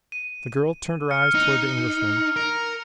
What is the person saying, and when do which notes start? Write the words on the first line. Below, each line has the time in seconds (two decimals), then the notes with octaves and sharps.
The girl turned her eyes toward the Englishman.
0.12 D#7
1.11 F6 C#7
1.35 D#4
2.36 A#4